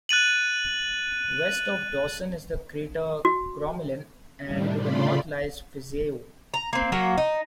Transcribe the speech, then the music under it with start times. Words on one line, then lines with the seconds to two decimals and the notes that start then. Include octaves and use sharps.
West of Dawson is the crater Crommelin, and to the north lies Fizeau.
0.09 F#6 A6 D#7 F#7
3.25 F#4
4.45 A2 C3 D#3 G3 D4
4.77 C#3 A3 F4 D5 B5 C6
6.54 A#5
6.73 A#3 C4
6.92 F#3 A#3 F#4
7.18 D#4